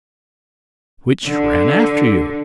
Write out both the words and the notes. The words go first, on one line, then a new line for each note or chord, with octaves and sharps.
"Which ran after you?"
D3